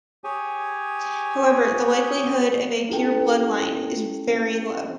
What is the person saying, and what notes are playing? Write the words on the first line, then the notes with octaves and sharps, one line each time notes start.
However, the likelihood of a pure bloodline is very low.
G4 G#4 C#5 G#5
C#4 E4 G4 A4 G5